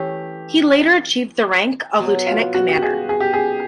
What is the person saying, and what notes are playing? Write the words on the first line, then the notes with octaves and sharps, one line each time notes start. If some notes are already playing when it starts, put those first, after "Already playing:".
He later achieved the rank of Lieutenant-Commander.
Already playing: E3 A3 C#4 G4
B2 F#3 B3
F4
F#4
G4
G#4
G#4
G4
G#4